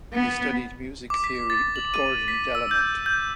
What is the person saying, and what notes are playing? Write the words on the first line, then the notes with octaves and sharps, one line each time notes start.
He studied music theory with Gordon Delamont.
B3
D6
B6
A6
F#7
D#7
B6
E6
G6
G6